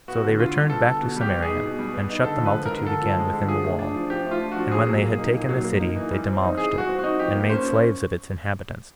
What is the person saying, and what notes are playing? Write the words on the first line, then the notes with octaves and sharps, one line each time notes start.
So they returned back to Samaria, and shut the multitude again within the wall; and when they had taken the city, they demolished it, and made slaves of its inhabitants.
B3 F#4
D3
D3 F4
G3
B3 A4
D3
B2
G3 G4
B3
D#4 G#4
B2
G3
B3
D#4
D3 A4
F3
B4
G#3
A#4
D3
D3 A4
F3
G#3
D3
F3 G#4
A3
D4
F3
F3 G4
A3
F4
D4
F3 F#4
A#2 G#4
F#3
A#3
D#4
A#2
F#3
A#3
D#4
E3
G3
C4
D#4
E3 G#4
G3
F#4
C4
D#4 F#4
F3 G4
A#3
C#4 C5